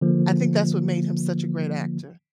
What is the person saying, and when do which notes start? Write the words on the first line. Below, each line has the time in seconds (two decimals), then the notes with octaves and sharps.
I think that's what made him such a great actor.
0.01 D3 F3 A#3